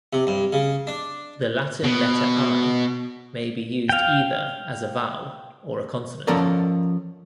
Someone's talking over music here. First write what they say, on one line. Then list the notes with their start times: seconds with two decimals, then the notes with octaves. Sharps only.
The Latin letter "i" may be used either as a vowel or a consonant.
0.13 C3
0.27 G2
0.53 C#3
0.87 D4
1.83 B2
3.89 F5 G5
6.27 F3 C#4 A4 A#4 D5